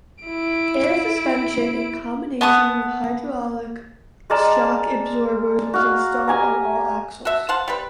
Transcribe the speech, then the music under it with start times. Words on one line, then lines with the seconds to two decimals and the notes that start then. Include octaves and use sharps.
Air suspension in combination with hydraulic shock absorbers was installed on all axles.
0.24 E4 D7
2.41 B3 A5 D#6
4.30 G#3 A#4 D5 A5
5.74 F#4 F5
6.28 G4 G#5 A#5
7.25 F#4 A4 E5
7.49 C5 F5 F#5 A5
7.68 G3 C4 B4